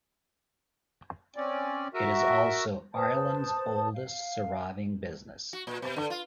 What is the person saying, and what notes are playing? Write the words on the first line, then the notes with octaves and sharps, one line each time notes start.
It is also Ireland's oldest surviving business.
C4 C#4 D5
F#4 A#4 E5
B4 C5 A5 D#6
F5
F#4
A#2
B2
D3
F4